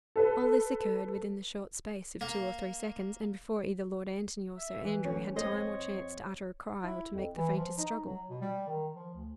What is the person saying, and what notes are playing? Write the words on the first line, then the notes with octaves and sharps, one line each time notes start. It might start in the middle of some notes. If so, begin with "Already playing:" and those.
All this occurred within the short space of two or three seconds, and before either Lord Antony or Sir Andrew had time or chance to utter a cry or to make the faintest struggle.
A4 B4
A#3
E5
E3
D2 C#4
F2 C5 C#5 D#5
E4
F2
E3
F3
D#4
F#3
B2
G3
D#3
F3
D2